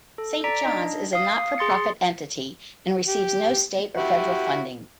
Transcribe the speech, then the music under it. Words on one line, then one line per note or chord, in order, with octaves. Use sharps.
Saint John's is a not-for-profit entity and receives no state or federal funding.
A4
D5 A#5 B6 D7
D4 D#4 D#5
F5 D#6
G#4 C6 A6 C#7
G4
E4 F#4 G4